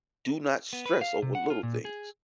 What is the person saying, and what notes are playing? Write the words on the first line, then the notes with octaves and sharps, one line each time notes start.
Do not stress over little things,
B3
B4
F5
C3
F#5
F4
A#2
G#4